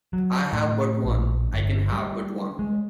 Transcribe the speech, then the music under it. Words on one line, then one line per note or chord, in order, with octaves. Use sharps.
I have but one; I can have but one.
F#3
A2
A#1
G1
G3
G#3